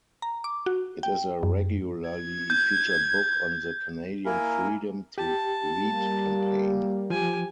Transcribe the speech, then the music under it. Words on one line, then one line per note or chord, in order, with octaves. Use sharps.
It is a regularly featured book on the Canadian Freedom to Read campaign.
A#5
D6
F#4
G5
F#2
G#6
G6
A#3 E4 A#4 G#5
G4 A5
G3 A#3
F3 G4 G#5